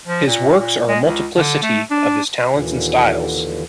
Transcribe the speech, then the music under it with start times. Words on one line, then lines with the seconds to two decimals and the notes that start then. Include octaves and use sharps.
His works are a multiplicity of his talents and styles.
0.07 F3
0.27 A#2
0.58 A#2
0.88 G#3
1.04 C#2
1.36 D3
1.62 A3
1.91 D4
2.51 D#2 A#2 D3 E3